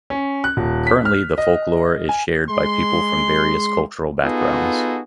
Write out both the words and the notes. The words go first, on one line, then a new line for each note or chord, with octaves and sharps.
Currently the folklore is shared by people from various cultural backgrounds.
C#4
F#6
D#1
B6
F6
D#5
G#5
G#3 C6
B3 D#4 F4 F#4 G#4 A4